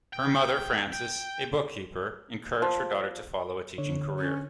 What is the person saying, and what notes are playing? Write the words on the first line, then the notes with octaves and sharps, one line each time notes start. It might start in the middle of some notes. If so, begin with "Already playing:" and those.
Her mother, Frances, a bookkeeper, encouraged her daughter to follow a teaching career.
G5
G5
F3
D3 C#5
C#4